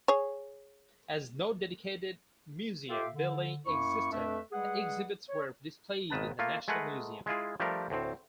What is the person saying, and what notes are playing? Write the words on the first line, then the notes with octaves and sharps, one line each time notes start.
As no dedicated museum building existed, the exhibits were displayed in the National Museum.
G#4 C#5
F4 G4 A4 E5 F5 G5
D3
F#2 A#3 E4 C#6
F2 A3 D4 A4 B4 E5
G3 G#3 G#4 B4 F#5
C#5
G#1 D#3 B4 A5
A3 A#3 F4
G#3 A3 G#4 A#4 B4 F#5
G#3 E4 F4 G#4
F3 G3 A3 D4 G4 A#4
D2 A2 C4